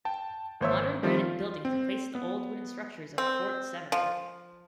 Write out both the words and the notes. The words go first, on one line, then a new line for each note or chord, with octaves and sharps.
Modern granite buildings replaced the old wooden structures of Fort Severn.
G5 A5
G#1 A#3 C5 C#5 E5 E6
D#3 F3 G3 C4
F4
C4
B3
C4
F3